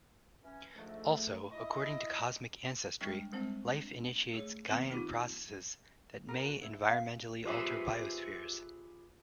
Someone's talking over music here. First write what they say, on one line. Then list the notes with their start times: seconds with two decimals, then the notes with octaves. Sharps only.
Also, according to cosmic ancestry, life initiates Gaian processes that may environmentally alter biospheres.
0.43 E3 C#4
0.75 G#2 F3 A3 D4
1.51 E4 D#5
3.01 G3 G#3 D4 G5 C#6
3.32 G3 G#3 C4 C5 F#5 A5
3.69 D4
4.34 A3 G#4 C#5
4.68 D#3 B3 C4 B4
4.90 A#3 D#4 F4 G4
6.28 A#4
6.45 F#4
6.62 E4
6.89 F5
7.45 F4 G4 G#4 B4 C5 E5